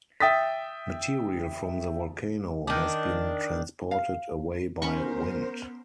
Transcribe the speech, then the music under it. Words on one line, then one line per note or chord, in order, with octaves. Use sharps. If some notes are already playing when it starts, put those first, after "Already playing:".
Material from the volcano has been transported away by wind.
E5 G5 D#6 A6 B6
D#3 D4
F5
B3 C#4 A#4 C5 B5 C#6